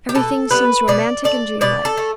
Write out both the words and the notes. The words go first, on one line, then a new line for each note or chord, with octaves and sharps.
Everything seems romantic and dreamlike.
G4
B2 A4
G3 B3 B4
B2 D5
A3 D5
B2 D5
A4
A3